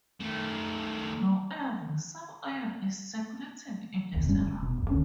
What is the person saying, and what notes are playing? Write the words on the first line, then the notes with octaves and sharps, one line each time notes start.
However, some iron is circulating in the serum.
D#3 A3
E1 D#2 B2
G2 G3 G#3 C#4
E1
B2
F1 D#2
D1 D2 D3 C#4